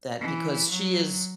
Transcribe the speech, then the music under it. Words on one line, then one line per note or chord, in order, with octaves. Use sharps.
That because she is
E3
F#3